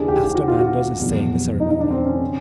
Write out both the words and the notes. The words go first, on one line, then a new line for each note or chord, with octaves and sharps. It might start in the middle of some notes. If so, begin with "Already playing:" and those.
Pastor Manders is saying the ceremony.
Already playing: D#2 C#3 E3 D4 G#4
G4
G4
F#4
F4
F#4
F1 E2 B2 F#3
D#4
D#4
D4
C4
C#4
C#3